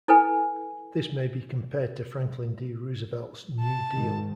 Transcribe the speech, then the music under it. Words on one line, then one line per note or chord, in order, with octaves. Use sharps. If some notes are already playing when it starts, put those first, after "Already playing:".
This may be compared to Franklin D. Roosevelt's New Deal.
E4 A4 B4 G#5
A5
G#2 D#3